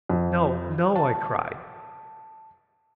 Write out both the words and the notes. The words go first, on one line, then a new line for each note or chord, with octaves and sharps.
"No, no!" I cried.
F2
A5